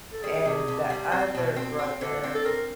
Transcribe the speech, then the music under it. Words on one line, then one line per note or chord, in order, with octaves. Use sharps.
and the other brother,
A4
G3 G#4
C3
C3
G3
C4
B2
C4
C4
D3 A4
C4
A4
C4 A#4